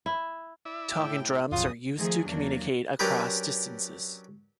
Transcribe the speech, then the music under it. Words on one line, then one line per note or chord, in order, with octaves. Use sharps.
Talking drums are used to communicate across distances.
E4
E4 D5 E5
A2 G5
F1 A#1 C#3 F#3 F4 D#6
D#3 F3 A3 G#4
E2 F#3 A#3 D4
F#3 C#4 D4 G4 A#4 B4